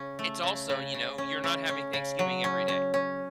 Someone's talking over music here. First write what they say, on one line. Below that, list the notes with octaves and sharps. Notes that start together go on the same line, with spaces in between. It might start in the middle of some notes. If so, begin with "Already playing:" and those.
It's also you know, you're not having Thanksgiving every day.
Already playing: C#3 C#4
A3
C#3
C#3
C#3
C#4
C#3
C#4
C#3
F#3
C#4
C#4
C#4